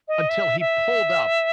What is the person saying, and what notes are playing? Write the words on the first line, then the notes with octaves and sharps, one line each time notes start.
until he pulled up?
D#5
E5
E5